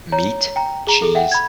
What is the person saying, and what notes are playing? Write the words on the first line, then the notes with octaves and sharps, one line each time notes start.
meat, cheese,
C#5 A#5
G5 A#5
G#4 A#5
G#4 A4
E5 F#5 G5
B5 G#6